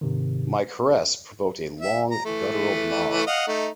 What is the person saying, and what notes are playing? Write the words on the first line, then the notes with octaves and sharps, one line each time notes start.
My caress provoked a long, guttural gnarl.
G#2 C3 D#3
E5
A#5
E3 A3
D#5 F5 F#5
A3 D#4